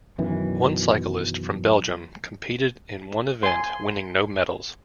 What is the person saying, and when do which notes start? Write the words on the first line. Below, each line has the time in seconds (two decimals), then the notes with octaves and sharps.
One cyclist from Belgium competed in one event, winning no medals.
0.18 B1 F#2 D#3 E3
3.43 G#5 C6